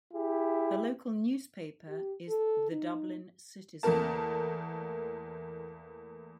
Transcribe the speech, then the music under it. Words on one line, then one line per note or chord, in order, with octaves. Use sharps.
The local newspaper is "The Dublin Citizen".
E4 G4 G#4
G4
A4
D#4
E2 A3 A#3 A#4 A5